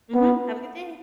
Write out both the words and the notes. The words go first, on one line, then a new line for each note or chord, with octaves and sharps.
Mhm. Have a good day.
B3